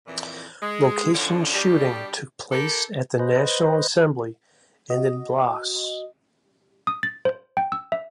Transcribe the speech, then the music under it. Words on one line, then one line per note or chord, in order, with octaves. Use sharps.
Location shooting took place at the National Assembly and in Blois.
F2 A#2 E3
G#3
F#2 D3 F3 C#4 D4
B2 G3 D4 G4
E4 G4 A4 A#4
B4 C5 D#5
F#4 D#5
D#6
A6
C5
G5
E6
E5